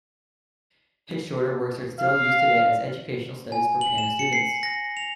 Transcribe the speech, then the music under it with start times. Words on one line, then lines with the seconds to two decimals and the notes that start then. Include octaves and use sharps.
His shorter works are still used today as educational studies for piano students.
2.00 F5
3.52 G#5
3.81 F#7
3.98 E7
4.19 C#7
4.33 C7
4.63 A#6
4.97 F7